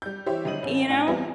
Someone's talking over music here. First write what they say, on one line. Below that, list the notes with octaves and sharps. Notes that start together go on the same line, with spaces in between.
You know?
G3 G6
E3 G4 C5 C#5 E5
G1 G3 D#5 D#7 F#7
A1 C#4
A2 D4 F#5 G#5
E2 G3 B3 C4